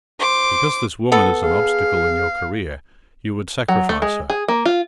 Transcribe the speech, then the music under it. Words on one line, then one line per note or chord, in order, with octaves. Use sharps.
Because this woman is an obstacle in your career, you would sacrifice her.
C5 C6 D6
B3 A4
G#4 F5
F#3
A3
G#3
G#4
A#3
F4